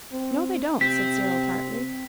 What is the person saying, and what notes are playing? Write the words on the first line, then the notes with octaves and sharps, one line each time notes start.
No, they don't,' said Cyril tartly.
C4
C3 C4 B6